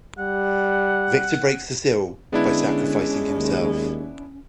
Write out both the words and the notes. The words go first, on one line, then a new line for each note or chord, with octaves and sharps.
Victor breaks the seal by sacrificing himself.
G3 F#5
D3 G#3 B3 C#4 D4 E4
D#2